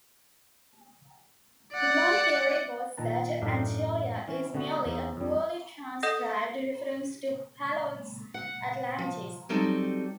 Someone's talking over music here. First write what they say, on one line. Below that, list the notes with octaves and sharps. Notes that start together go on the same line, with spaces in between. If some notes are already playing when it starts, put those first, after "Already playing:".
One theory was that "Antillia" is merely a poorly-transcribed reference to Plato's "Atlantis".
D5 F#5
A#2 D#3 B4 A5 A#5
F#2 A2 E3 D4 D#4 F5
E3 C#4
D3 A3 B3 F#4
E2 D#4
F2 G3
A4 D#5 F#5 D#6 G6 A#6
F#5
F3
F#3 G3 C4 D#4 A4